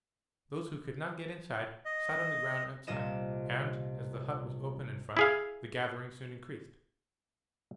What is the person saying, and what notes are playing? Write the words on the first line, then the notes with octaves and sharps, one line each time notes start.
Those who could not get inside sat on the ground outside, and, as the hut was open in front, the gathering soon increased.
D#5
C2 A#2 F4 D#5 E7
E4 G#4 F5